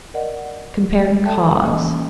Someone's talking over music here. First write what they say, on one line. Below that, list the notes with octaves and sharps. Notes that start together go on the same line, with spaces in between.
Compare CAUSE.
A#4 D5 D#5 F#5
G#3
A4 E5 G5 A5
E3 A#3 C#4 D#5